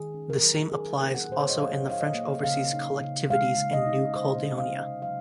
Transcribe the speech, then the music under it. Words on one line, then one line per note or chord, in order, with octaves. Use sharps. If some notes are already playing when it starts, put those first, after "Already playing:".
The same applies also in the French overseas collectivities and New Caledonia.
Already playing: D#3 G#4
C#4
A#4
F#3
D#4 G#4
A#3
F#5
A#2 C5
C#5
D#5
F#3 F5
D#4
F5
D#5
A#3
C#3 F5
D#4
C#3
G#3 F5
C#3
D#5
D#4
C3 C5
C#4
F5
C3
F#3 F5